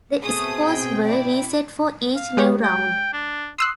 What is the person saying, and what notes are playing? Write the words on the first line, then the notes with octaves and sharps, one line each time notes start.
The scores were reset for each new round.
B2 A3 C4 G#4 D#6
G5
E4 D5 G5
F5
G#3 G4 C#5
G5
D4
C6 D#6 E6 F#6